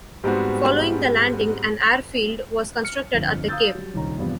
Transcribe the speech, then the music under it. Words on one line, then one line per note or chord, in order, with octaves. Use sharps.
Following the landing, an airfield was constructed at the cape.
G#2 G3 G#3 B3 C4 F#4
F6 C#7
G1 F2
F5 A#5 D#6 E6 G6 A6
F#3 G3
D#1 C2 D#3 C#4 A#5
E2 G2 C3 F3 G3 B3